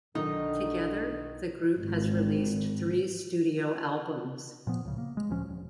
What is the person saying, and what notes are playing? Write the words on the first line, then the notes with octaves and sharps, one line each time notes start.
Together the group has released three studio albums.
B1 D3 D#3 D#4
G#1
A#2 F3 B3
C#2 A2 C#3
A#3
G#3
D2 A#2 F3 C#4
E1